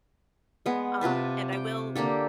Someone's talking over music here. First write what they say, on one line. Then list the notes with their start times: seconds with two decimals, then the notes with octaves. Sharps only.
um, and I will
0.66 G#3 B3
1.01 C3 F4 B4 A5
1.53 G5
1.96 D3 A#3 G4 A4